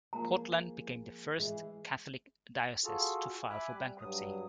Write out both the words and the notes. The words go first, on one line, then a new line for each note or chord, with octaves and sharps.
Portland became the first Catholic diocese to file for bankruptcy.
F3 G#3 A#3 A#5
E3 G#3 G#4
F4 F#4 G#4 A4
E5 G#5 B5 D6 F#6
G3
G2 F#3 D#6